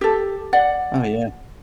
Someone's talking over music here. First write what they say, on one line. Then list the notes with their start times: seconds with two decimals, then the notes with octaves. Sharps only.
Oh, yeah.
0.01 G4 A4
0.53 D5 F#5